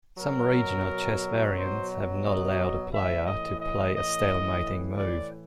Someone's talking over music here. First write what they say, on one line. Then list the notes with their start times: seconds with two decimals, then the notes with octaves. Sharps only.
Some regional chess variants have not allowed a player to play a stalemating move.
0.17 B2 F#3 A#4
1.54 C5
2.23 D#5
2.91 A2 E3 E5
3.25 D#5
3.58 D#5
3.93 D#5
4.96 D5